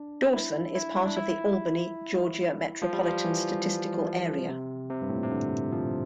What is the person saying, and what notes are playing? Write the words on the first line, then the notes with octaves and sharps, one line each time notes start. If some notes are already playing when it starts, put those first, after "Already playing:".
Dawson is part of the Albany, Georgia Metropolitan Statistical Area.
Already playing: D4
E4
E4
D4
E4
F3
G3
F3
E3
C3
C3
G2
A2
A#2
C3
D3
F3